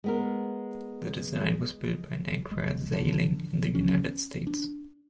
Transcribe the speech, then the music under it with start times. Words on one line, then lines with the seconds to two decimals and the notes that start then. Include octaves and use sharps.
The design was built by Nacra Sailing in the United States.
0.04 G#3 B3 A#4
2.51 E1 G#3
2.91 G#2 D3 F#3
3.75 C#4
4.47 D4